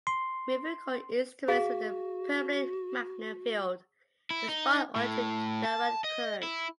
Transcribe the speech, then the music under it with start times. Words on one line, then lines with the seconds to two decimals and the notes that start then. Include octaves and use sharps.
Moving-coil instruments with a permanent-magnet field respond only to direct current.
0.07 C6
1.48 F#4 G#4 F5
4.31 E4
4.49 D#4
4.96 A2
5.65 A5
6.04 D#5
6.43 E4